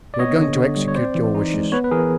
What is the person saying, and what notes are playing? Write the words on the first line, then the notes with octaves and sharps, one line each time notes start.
"We are going to execute your wishes."
D5
B3 C#5 D#5
D3
D3
G3
C#5
C4 C5 D5
E3
D#4
G#3
B3 B4 C#5
B4
E3 G#4 A#4